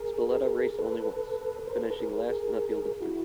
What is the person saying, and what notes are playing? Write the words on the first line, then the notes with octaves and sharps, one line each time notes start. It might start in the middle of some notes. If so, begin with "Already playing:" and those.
Spilletta raced only once, finishing last in a field of three.
Already playing: G#4 A#4
A4 B4
A#4 C5
A4 B4
A4 B4
G#4 A#4
G#4 A#4
E4 F#4